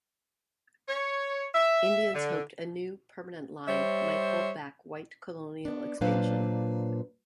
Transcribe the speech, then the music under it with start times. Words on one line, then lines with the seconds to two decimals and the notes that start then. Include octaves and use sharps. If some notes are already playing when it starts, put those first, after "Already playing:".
Indians hoped a new, permanent line might hold back white colonial expansion.
0.88 C#5
1.54 E5
2.14 D3
3.68 G3 C5 C#5 E5
5.65 B3 D4
6.01 A#2 F#3 D4 B4 C5 F5